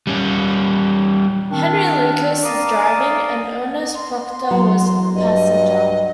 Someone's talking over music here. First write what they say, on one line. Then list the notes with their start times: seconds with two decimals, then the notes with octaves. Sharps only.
Henry Lucas was driving and Ernest Proctor was passenger.
0.07 G3 C#4
1.50 D#3 C4 D4
2.44 D5 F5 A5 A#5 D6 D#6
3.95 C6
4.51 E2 F#3 A#3
5.15 G2 D#5